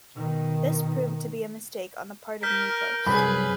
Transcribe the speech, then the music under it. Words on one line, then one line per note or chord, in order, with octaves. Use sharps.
This proved to be a mistake on the part of Nepos.
B2 D#3
A#4 F6 G6 B6
C2 F#2 G#4 B4 B5